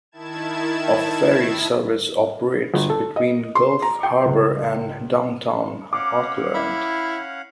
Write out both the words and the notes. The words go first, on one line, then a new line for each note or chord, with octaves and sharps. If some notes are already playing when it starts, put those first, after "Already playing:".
A ferry service operates between Gulf Harbour and downtown Auckland.
D#3 E4 A5 G#6 E7
G1
A4
D#5
C6
A#5
G5
C#2
C#4 F5 F#5 D6
E4